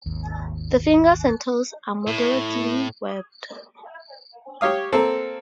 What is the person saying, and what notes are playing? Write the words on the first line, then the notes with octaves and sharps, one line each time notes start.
The fingers and toes are moderately webbed.
G#1 D#2
A2 E4
G4 C#5 F5 D#6
A#3 C4 A4